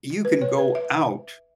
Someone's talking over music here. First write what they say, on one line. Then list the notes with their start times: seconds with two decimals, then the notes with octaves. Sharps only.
You can go out
0.25 B4
0.42 C#5
0.58 B4
0.75 E5